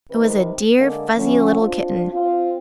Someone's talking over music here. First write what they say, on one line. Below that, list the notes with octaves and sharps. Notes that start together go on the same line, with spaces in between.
It was a dear fuzzy little kitten.
C3 D#3 A#4 B4
D3 G#3 A#3
D3 E3 F3 C#4
C4 D4 F4
C4 F4